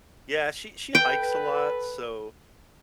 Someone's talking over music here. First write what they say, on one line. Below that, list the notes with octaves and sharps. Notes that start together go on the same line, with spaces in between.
Yeah, she she hikes a lot, so
A4 B4 G5